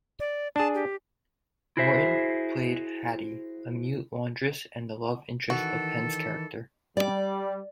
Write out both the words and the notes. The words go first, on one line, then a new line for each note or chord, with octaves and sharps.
Morton played Hattie, a mute laundress and the love interest of Penn's character.
D5
D4 G#4 A5
G4
E4 F#4 G#4 C5 E5
D#3 E3 F#4 A4
G3 D5